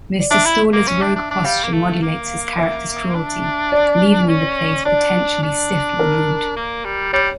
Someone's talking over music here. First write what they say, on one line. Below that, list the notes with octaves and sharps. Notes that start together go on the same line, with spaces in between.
Mr. Staller's rogue posture modulates his character's cruelty, leavening the play's potentially stifling mood.
D5
D4 E5
E4
A#3
C#4
D4
D4
D4
G3 F5
A#3
A3
A#3
E5
D4
D5
C#4
D4 D5
D4
A#4
A#3
G3
G3 C#5